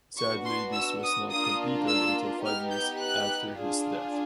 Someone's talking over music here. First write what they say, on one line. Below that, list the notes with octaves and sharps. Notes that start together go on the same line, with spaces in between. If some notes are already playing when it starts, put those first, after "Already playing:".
Sadly this was not completed until five years after his death.
B3 D4 F#4 C#6
C6
E6
D#6
A#3 D4 F4 D#6
E6
B3 D#4 G4 F6
G6
F#6
D4 F4 G#4